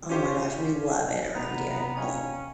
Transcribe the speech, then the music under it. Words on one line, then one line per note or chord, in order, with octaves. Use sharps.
Oh my gosh, we love it around here. Like
C#4 F4 G4 C5 C#5
C3 B3 A#5
C#4 D#5 F5 G5